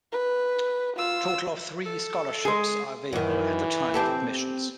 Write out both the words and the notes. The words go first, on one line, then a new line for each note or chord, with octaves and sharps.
Total of three scholarships are available at the time of admissions.
B4
F4 E6
A4
G#3 G#4
F#2 D#3 E3
C4 G4 A4